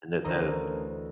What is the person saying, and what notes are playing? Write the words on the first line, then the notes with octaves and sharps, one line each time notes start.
And, eh, that
D2 E3 A3 C#4 A#4 C5 D#5 A#5